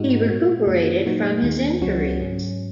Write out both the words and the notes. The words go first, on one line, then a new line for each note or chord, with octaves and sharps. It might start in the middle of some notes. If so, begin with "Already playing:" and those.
He recuperated from his injuries.
Already playing: G#2 G#3 D#4 F#4
A#2 G#3 F#4
F#2 C#3 A#3
A#2 F#3 A#3 D#4 F#4
D#2 D#3 A#3
C#2 C#3 F#3 C#4 F#4
G#2 F#3 C#4